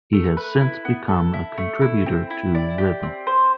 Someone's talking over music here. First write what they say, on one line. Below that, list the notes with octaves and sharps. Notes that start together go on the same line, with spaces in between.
He has since become a contributor to Rhythm.
A3
B4
E4
B3
A4
E4
A3
E4
C4
E4
D5
G4
C4
C5